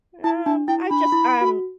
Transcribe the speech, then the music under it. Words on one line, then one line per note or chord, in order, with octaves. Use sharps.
Um I just um,
E4 A5
D4 A5
E4 G5
D4 B5
E4
F#4